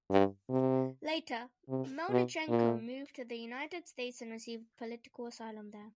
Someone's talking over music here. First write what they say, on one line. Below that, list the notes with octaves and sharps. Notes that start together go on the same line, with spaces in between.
Later, Melnychenko moved to the United States and received political asylum there.
G2
C3
C3
B2
A#2